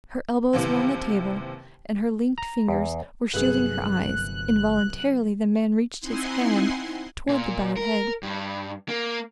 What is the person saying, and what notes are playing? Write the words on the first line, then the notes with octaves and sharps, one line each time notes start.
Her elbows were on the table, and her linked fingers were shielding her eyes. Involuntarily the man reached his hand toward the bowed head.
F#1 D#2 C3 E3
A#5
E2
G1 C2 F#2 A3 G#4 B4 F#6
C4 D#4 E4 F#5 G#5 C6
A#2
A#4
G2
A#3